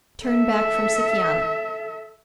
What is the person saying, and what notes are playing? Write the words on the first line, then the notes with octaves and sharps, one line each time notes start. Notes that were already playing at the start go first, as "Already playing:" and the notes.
Turned back from Sikiana.
A4 E5